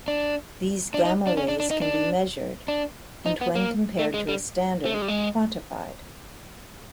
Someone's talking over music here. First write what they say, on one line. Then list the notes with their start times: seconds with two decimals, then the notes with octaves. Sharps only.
These gamma rays can be measured, and when compared to a standard, quantified.
0.08 D4
0.94 D4
1.05 D#4
1.27 D4
1.37 C#4
1.48 D4
1.60 D4
1.71 D#4
1.82 D4
2.68 D4
3.26 D#4
3.41 B3
3.55 A#3
3.99 A3
4.14 G#3
4.29 G3
4.85 A3
4.94 G#3
5.02 G3
5.08 G#3